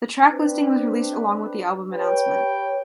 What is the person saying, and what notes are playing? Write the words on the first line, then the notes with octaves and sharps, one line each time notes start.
The track listing was released along with the album announcement.
C4 D4 B4
G4 B4 C#5 G5